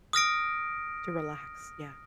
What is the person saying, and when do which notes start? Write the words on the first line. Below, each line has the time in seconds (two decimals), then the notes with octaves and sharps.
To relax, yeah.
0.13 D#6 F6 A#6 D7